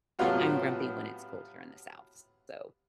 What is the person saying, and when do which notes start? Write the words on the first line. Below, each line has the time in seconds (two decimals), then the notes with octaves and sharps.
I'm grumpy when it's cold here in the South, s so
0.19 A2 C3 F#3 B3 F4 F#4